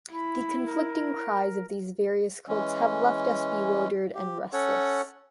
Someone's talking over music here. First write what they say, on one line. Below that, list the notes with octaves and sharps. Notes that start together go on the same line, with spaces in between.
The conflicting cries of these various cults have left us bewildered and restless.
E4 B5
A#4
E3 G#3 C#4
G4
C#4 A4 C#5 F#5